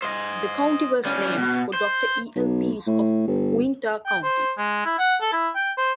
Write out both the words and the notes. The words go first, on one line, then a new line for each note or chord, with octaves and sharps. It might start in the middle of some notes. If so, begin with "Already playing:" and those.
The county was named for Doctor E. L. Pease of Uinta County.
C5 D#5
G3 C#4
B2
C5
B1
A2
G1
G5
C5
G#3
E4
F#5
A4
E4
G5
C5